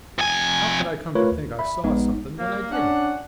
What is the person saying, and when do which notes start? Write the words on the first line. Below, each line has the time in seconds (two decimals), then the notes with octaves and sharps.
How could I come to think I saw something when I didn't?'
0.19 F2 G#5
1.15 A3 F4 A#4 B4 C#5
1.32 D#2
1.59 E5 B5
1.84 A#1 G#3 B3 D#4
2.38 A#3
2.72 C#4 D4 F#5